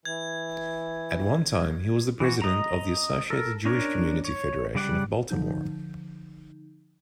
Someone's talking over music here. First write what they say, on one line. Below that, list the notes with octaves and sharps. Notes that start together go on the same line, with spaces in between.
At one time he was president of the Associated Jewish Community Federation of Baltimore.
E3 G#6
E3 F#4
D#5 A#5
A4 A#4
C#4 D4 A#4 C#5
C#5
C#3 G3 D5 F#5
D3 F3 D#4 G6